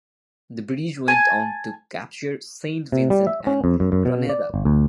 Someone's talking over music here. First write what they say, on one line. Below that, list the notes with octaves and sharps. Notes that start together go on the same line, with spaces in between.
The British went on to capture Saint Vincent and Grenada.
G#5 A5
C3
G3
E5
C#4
F2
F#2
F#2
B2
D5
G1
D2